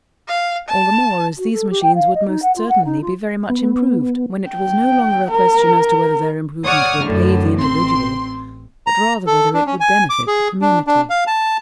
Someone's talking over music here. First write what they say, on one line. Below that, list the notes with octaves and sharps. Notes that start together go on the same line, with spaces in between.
All the more as these machines would most certainly be very much improved when it was no longer a question as to whether their improvement would "pay" the individual, but rather whether it would benefit the community.
F5
A5
F#4
A4
G4
G5
F5
D#5
D#4
F#5
F4
F#5
D#4
F4
B3
G5
A#4
C#5 D5 F#5 C#6 D#6 F6
F#2 A2 D3
A1 C4 C6
A#5
A4
D4
C#4
G#5
D6
G#4
D4
D4
F5
A5